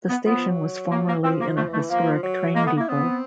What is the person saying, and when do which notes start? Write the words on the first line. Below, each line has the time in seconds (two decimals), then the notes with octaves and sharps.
The station was formerly in a historic train depot.
0.10 B3
0.26 F3 B3
0.37 F3
0.48 F#3
0.92 A#3
1.07 A#3
1.24 F3 C4
1.41 A#3
1.57 F3 A3
1.68 E3
1.74 A3
1.79 E3
1.90 F3 A#3
2.23 F#3
2.56 G#3 A#3
2.64 A3 B3
2.77 A#3
2.80 E4
2.88 B3 C4